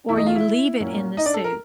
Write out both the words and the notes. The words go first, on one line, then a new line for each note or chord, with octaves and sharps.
or you leave it in the soup
E2 B2 G#3 E4 E5
D#4 D#5
F4 F5
E4 E5
A#2 F#3 A#3 C#4
D#4 D#5
D4 D5
A4
A#4